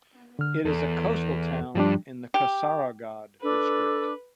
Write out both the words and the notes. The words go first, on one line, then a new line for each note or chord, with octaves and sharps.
It is a coastal town in Kasaragod district.
D3 F6
E2 A4
G2 F3 G3 D4
G4
D4 A4 B4